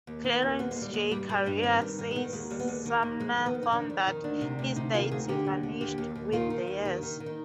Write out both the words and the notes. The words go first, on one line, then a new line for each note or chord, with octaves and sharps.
Clarence J. Karier says, Sumner found that his deity vanished with the years.
D#2
D#3
B3
D#2
D#2 B3
G#3
D#2
G3
D#2 G#3
G2 G3
G2 G3
G2 D4
D#3 C4
G2
D#3
G#3
D#3 B3
D#2 G#3
D#2 G3
B3
D#2 G#3
D#3
D#2
F2 G#3
D#3
B3
F2
D#4
D#3 D4
F2
D#3
D2 D4
C3
D2
C3 D#4
D#3 F4
D2 G#4
D3 G4
D#2
D3
D#2 G4
D#2
D#2
D#3 F4
D#3
D#2
D#3
D#3
D#3
D#4